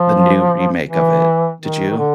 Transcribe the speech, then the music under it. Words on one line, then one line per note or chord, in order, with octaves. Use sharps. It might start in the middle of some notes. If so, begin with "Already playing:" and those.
the new remake of it. Did you?
Already playing: F3
E3
D#3
D#3
D3